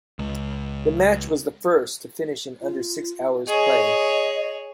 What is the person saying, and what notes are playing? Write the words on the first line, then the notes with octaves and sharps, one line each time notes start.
The match was the first to finish in under six hours' play.
C#2
F4
G#4 C#5 D#5